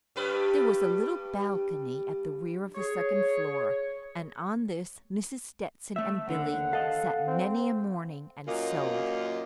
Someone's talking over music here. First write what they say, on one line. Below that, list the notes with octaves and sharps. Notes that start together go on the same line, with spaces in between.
There was a little balcony at the rear of the second floor, and on this Mrs. Stetson and Billy sat many a morning and sewed.
G2 G3 B4
G#4 C#5
A3 E5 E6
D#2 D3 F#5
A4 D#5 F5
C4
F#2 A#2 A#3 F4 D#5